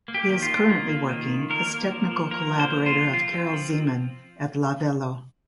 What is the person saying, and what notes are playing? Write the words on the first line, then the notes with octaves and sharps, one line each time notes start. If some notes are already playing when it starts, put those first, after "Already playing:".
He is currently working as technical collaborator of Karel Zeman at Lavello.
A#3
G4
D#3
F4
D#3
A#3
A#3
D#3
D#3
A#3 A#4
A#3
F3
F3
A#3 A#4
A#3
C5
F3
F4
F3
C4 F4
C4
F3